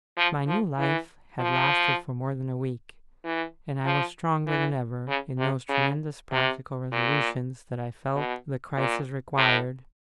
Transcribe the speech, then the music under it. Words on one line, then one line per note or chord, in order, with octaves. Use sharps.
My new life had lasted for more than a week, and I was stronger than ever in those tremendous practical resolutions that I felt the crisis required.
F3
F3
E3
F3
E3
F3
E3
C#3
C3
C#3
C3
A#2
B2
A#2
A2